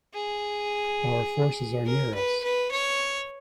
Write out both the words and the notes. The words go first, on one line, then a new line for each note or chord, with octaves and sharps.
Our forces are near us.
G#4
A#4
B4
B4
C#5